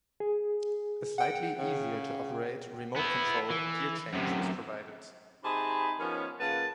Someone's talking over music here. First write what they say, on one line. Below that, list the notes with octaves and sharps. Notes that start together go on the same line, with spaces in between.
A slightly easier to operate remote-control gear-change was provided.
G#4
F#5 G5
C#3
B3 E4
E3
F#2 C3
C3 D#4 G#4 A5 B5
D#3 F3 B3 C#4
C#3 A#3 F4 B4 F#5 A5